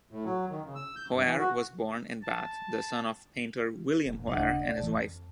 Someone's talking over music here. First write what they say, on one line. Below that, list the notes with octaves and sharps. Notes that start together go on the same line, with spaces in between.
Hoare was born in Bath, the son of painter William Hoare and his wife.
A2
F#3
D#3
C#3
E6
G6
G2
E3
F#4
A5
E1
D1 C#3 D4 D#5 F#5
C2 D5
A2 E3 A5
F2